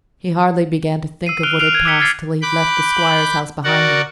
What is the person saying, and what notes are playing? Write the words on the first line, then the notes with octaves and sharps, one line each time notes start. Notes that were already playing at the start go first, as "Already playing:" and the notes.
He hardly began to think of what had passed till he had left the squire's house behind him.
E6 C7 D#7
F6 F#6 D7 F7 G7
F6 F#6 C7 D7 F7
F#6 G#6
D6 E6 F#6 B6 C#7 G7
F6 G#6 A6 C7
B5 D6 F#6 G6
F#4 A#4 D5 F#5